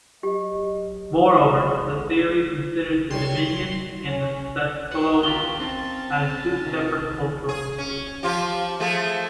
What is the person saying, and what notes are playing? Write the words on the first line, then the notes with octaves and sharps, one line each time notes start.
Moreover, the theory considers the "Diminians" and the "Seskloans" as two separate cultural entities.
F#3 G4 D#5
E2 D3 G#3
D#3 F#3 G3 C#5 C6
C#4
F#4 B4 F#5 G5
E2 D4 D#4 F4 G4 G7
C4 C#4 A5
C3 D#3
G#4
C#4
F3 F4 G4
F3 A3 G#4